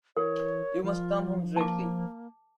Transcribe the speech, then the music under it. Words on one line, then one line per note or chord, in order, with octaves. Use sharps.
You must come home directly.
E3 A#4 C#5
F3 F4
A#3 A5 D6